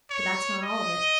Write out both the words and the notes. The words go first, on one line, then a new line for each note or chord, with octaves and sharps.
But that's not all of it.
C#5
D#5